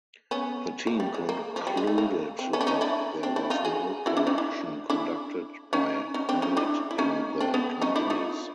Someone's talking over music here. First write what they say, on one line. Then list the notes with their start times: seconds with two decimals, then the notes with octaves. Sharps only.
The team concluded that there was no corruption conducted by Hamid in the companies.
0.31 B3 C#4
0.87 A#3
1.00 G3
1.15 G#3
1.29 A#3
1.56 F3
1.67 G3
1.77 G#3
1.87 A3
1.98 A#3
2.39 C4
2.53 B3 C#4
2.61 D4
2.67 C#4 D#4
2.81 D4 E4
3.23 C4 D4
3.36 D4 E4
3.50 D#4 F4
3.65 F#4 G#4
4.06 E4 F#4
4.17 D4 E4
4.27 C#4 D#4
4.38 D4 E4
4.90 D4 E4
5.73 C#4 D#4
6.14 C#4 D#4
6.29 C4 D4
6.42 C#4 D#4
6.57 D4 E4
6.91 E4
6.98 C#4 D#4
7.40 C4 D4
7.54 B3 C#4
7.81 C#4 D#4
7.96 D4 E4
8.10 D#4 F4